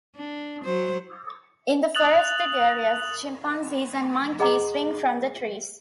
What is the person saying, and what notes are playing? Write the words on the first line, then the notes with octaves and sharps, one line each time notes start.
In the forested areas, chimpanzees and monkeys swing from the trees.
D4
F#3 C5
D#6 F#6 A6 F7 F#7
G#4 D#5 F#5 A#5 D6